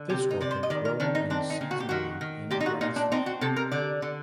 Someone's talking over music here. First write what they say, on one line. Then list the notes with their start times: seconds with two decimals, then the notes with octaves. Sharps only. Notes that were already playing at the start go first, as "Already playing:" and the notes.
This orchid growing in seasonally in grassland.
Already playing: D3
0.09 C3 G4
0.31 D#4
0.41 C3 D5
0.51 C5
0.63 D#5
0.70 D#3 D5
0.85 A#4
1.00 D#3 D4
1.15 D#4
1.30 C4 D4
1.50 D#4
1.61 A#2
1.71 F#4
1.80 G4
1.89 D#3 F#4
2.21 D#3
2.51 A#2 G4
2.60 D#4
2.66 F#4
2.81 A#2 D#4
2.96 D4
3.12 C4 D#4
3.26 F#4
3.41 C3 A4
3.56 A#4
3.71 D3 D5
4.02 D3